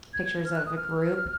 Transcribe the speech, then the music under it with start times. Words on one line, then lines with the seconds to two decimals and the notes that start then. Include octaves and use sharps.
pictures of a group,
0.14 G#6
0.25 G#6
0.45 F6
0.56 F#6
0.66 D#6
0.77 F6